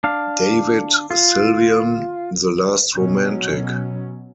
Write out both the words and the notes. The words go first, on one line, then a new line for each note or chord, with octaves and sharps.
"David Sylvian: the Last Romantic".
D4 F5
F4
B2 F#3 C#4